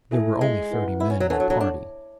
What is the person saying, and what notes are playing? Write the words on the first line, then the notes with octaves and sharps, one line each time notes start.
There were only thirty men in the party.
E4 A4 E5 G#5
G#3
E4 B4 F#5
E4
C#4
F#3
E3 D4 A4 C#5 F#5 A5
F#3
F#3
D4